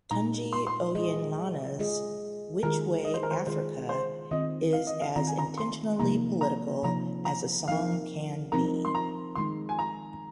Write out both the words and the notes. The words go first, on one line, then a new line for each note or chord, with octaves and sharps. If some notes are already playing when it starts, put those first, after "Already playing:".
Tunji Oyelana's Which Way Africa is as intentionally political as a song can be.
A#2 G#3 D#4 A#5
C6
C6
G#3 F4 G#4 D#5
G#3 F4 G#4 D#5
D#3 G#3 F4 G#4 A#4
D#5
C5
A#4
C5
D#3 G#3 F4 G#4 C5
C5
D#3 C4 F4 D#5
F5
D#5
F5
D#3 C4 F4 A#5
G#5
A#5
C6
C3 F3 A#3 D#4 A#5
A#5
C3 F3 A#3 D#4 A#5
A#5
F3 C4 D#4 A#4 F5
F3 C4 D#4 A#4 A#5
C6
A#5
D#3 G#3 D#4 C6
G#5
A#5